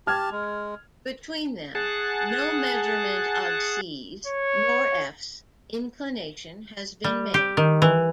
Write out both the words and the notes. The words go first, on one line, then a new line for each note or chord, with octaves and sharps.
Between them, no measurement of c's nor f's inclination has been made.
G4 A5 F6 G#6
G#3
G#4 F#5 A5
C#5
G3
G4
D#3
E3